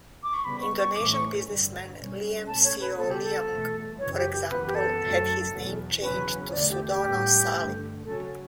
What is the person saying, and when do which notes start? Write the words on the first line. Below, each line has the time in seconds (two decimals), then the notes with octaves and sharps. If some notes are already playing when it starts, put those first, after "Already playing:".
Indonesian businessman, Liem Sioe Liong, for example, had his name changed to Sudono Salim.
0.23 D6
0.34 C#6
0.45 C#3 G3 B3 B5
0.61 C#6
0.79 C#6
0.95 A2 E3 A3 C#4 D6
1.12 C#6
1.46 G2 D3 G3
1.96 B2 G3 C#4
2.47 B2 A3 C#4 A5
2.64 C#5
2.81 B4
2.98 C#3 G3 B3 A4
3.10 G4
3.23 A4
3.48 E2 B2 A3
3.99 F#2 C#3 E3 C#5
4.17 G4
4.33 G4
4.49 F#2 E3 B3 B4
4.66 G4
4.75 A4
5.01 F#2 D3 F#3 A3
5.51 E2 B2 F#3
6.02 E2 C#3 F#3 C#4 B4
6.49 C#5
6.53 E2 D3 A3 D5
6.70 G4
6.87 G4
7.04 A2 G3 B3
7.54 G2 D3 A3
8.04 C#3 F#3 C#4 A4